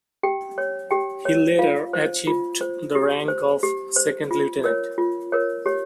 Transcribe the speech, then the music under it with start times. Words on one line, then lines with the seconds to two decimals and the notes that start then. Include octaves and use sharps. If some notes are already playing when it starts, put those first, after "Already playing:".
He later achieved the rank of Second Lieutenant.
0.23 G4 G5
0.58 C#5
0.91 G4 G5
1.25 C#5
1.59 F4 F5
1.93 C5
2.27 F4
2.61 C5
2.95 G4
3.28 C5
3.63 G4
3.96 C5
4.31 F4
4.64 A#4 C#5
4.98 F4
5.32 A#4 C#5
5.66 G4 C#5